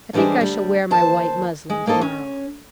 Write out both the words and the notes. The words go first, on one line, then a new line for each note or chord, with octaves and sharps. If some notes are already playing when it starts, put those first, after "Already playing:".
I think I shall wear my white muslin tomorrow.
D3 E3 G3 G#3 G4 C5
D2 G3
D#2 C5 A5
G#3
A#3 D#4 A4 C5 D#5
C#4